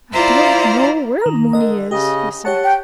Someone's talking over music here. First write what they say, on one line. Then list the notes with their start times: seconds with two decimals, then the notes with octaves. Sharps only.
"I don't know where Mooney is," he said.
0.12 E4 F4 C5 D5 F5 A#5
1.22 D#3 A#5
1.53 D3 A#4 D#5
1.91 C#3 G4 D#5
2.45 G4 C#5 F#5 A5
2.64 G5